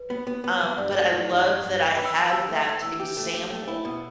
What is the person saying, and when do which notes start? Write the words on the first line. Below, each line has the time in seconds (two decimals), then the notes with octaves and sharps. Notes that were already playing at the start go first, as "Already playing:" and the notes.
Um, but I love that I have that example
Already playing: B4
0.10 B3
0.27 B3
0.44 B3
0.61 G3
0.77 G2 D5
0.95 A3
1.12 E3
1.29 G2
1.46 G2
1.63 G2
1.80 B4 G5
1.97 B4
2.05 E6
2.14 B4
2.31 G4 E6
2.49 A3
2.65 A3
2.82 E3 E6
2.99 G4
3.17 A3
3.33 G4
3.50 A3
3.68 E4
3.85 B2